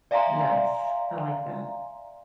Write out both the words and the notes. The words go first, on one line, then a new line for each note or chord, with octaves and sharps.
Nice, I like that.
D5 E5 F5 G#5 A#5 C6